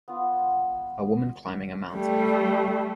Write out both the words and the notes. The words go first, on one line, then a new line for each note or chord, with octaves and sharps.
A woman climbing a mountain.
B3 F4
G3 A3